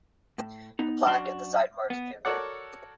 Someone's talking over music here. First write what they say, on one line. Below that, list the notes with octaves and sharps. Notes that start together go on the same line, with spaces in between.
A plaque at the site marks the event.
A2
B3 D#4
F#2 D4 F#4 C6
B3
F#4 A4 A#4 C#5 D5 F#5